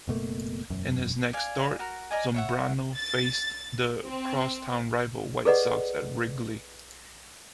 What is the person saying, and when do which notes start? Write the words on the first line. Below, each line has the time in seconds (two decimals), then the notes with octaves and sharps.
In his next start, Zambrano faced the cross-town rival White Sox at Wrigley.
0.08 F#1 B2 A3 A#3
0.70 E1 F#2
1.33 D5 F5 G#5
1.79 F#4 A#4
2.11 A#4 D5 D#5 G#5
2.34 C#5 E5 F#5
2.97 A6
4.04 C4
5.45 G#4 A4 B4 D5 D#5 F#5